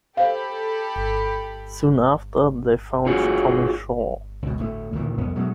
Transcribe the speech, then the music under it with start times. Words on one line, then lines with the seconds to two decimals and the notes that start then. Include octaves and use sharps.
Soon after, they found Tommy Shaw.
0.17 G4 A4 C5 F5 B5
3.06 F4 F#4 G#4 C#5
4.42 C#2 B2
4.58 D2 A2 A3
4.93 D2 A#2 D#3 E3
5.18 C2 F2 B3
5.35 B2 F#3 G#3 A3